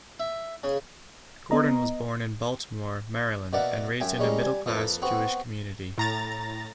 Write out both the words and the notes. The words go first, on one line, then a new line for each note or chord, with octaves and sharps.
Gordon was born in Baltimore, Maryland, and raised in a middle class Jewish community.
E5
C#3
B3 D#5 A#5
B2 A#3 A#4 D5 E5 F#5
F#2 E5 G5 G#5
G3 G#3 C#4 A#4
G3 G#5
F2 A#3 A4 B4
B3 C4 F#4
A2 A#5 A6